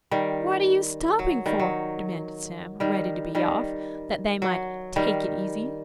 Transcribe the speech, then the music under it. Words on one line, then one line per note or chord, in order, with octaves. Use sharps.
"What are you stopping for?" demanded Sam, ready to be off, that they might "take it easy."
D#3 G3
F#3
D#3 G3
F#3
D#3 G3
D#3 G3
F#3
D#3 G3